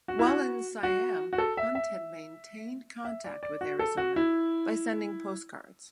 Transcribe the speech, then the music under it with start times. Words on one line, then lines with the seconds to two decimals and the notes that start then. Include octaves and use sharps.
While in Siam, Hunt had maintained contact with Arizona by sending postcards.
0.08 F#4
0.19 E4
0.27 F#4
0.83 F#4
1.33 F#4
1.38 A4
1.57 E5
1.75 E5
3.05 E5
3.24 D5
3.43 D5
3.61 F#4
3.79 A4
3.97 F#4
4.16 E4